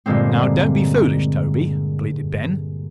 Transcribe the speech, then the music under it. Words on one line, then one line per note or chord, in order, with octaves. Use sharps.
"Now don't be foolish, Toby," pleaded Ben.
G2 A#2 D3 G#3 A#3 C4